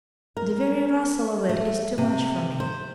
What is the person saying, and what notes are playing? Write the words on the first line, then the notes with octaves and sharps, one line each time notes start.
The very rustle of it is too much for me.
A#4
A3
C3
C5